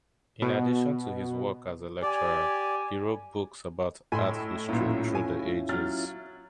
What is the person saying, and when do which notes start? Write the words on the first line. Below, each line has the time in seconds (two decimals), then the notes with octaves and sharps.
In addition to his work as a lecturer, he wrote books about art history through the ages.
0.42 B2
2.02 G4 D5 G#5
4.12 A2 D#5 G#5 B5 C6 E6
4.69 B1 A#2 C#4 E4 F4
5.15 G#5
5.69 F#3 F6 A6